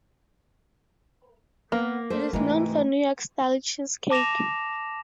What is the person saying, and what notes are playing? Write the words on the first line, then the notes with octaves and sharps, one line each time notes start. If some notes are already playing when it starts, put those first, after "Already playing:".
It is known for New York Style cheesecake.
A#3 B3
A3 C5
G#2 C3 E3 A3 F4
A5 D6 A#6 E7 F7